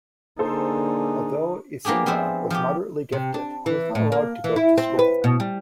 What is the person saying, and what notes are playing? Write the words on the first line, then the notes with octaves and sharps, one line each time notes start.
Although Eisinga was moderately gifted, he was not allowed to go to school.
D3 A#3 D4 D#4 G#4 A4 C5
A#3 B3 D4 G4 G#4
F3 B3 C4 G#4 C5 E5
F3 G4
C3
D4
E3
A2
A#3
E3
E4
C4
B4
B2
G3